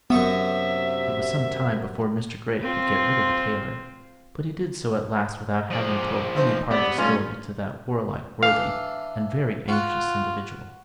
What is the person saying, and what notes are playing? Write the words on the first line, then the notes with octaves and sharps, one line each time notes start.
It was some time before Mr. Grey could get rid of the tailor, but he did so at last without having told any part of the story to that warlike, worthy, and very anxious individual.
F#2 C3 B3 E5 C#6 D#6
C4 F4
F3 D5
D#4 C5 E5
C3 B3 D5
B1 A2 G3 C#4 F4
E3 D4 F5
F4 F#4 F#5